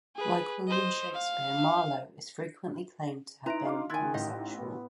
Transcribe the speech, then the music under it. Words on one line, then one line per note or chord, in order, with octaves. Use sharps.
Like William Shakespeare, Marlowe is frequently claimed to have been homosexual.
G#4 B4
C5 D#5
F5
D#4 E4 B4 E5 A#5 C6 A#6 D7
D4 F#4 D#5 F5 C6 D6
D#3 E4 G#5 C6 F#6 G#6 A6
A1 F4 G4 D#5 G5 A#6
D#4
B3